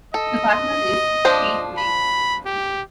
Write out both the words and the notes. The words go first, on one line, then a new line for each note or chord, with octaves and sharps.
Her partner is Keith Miles.
A4 D#5
F3 D4 C5
B5
G4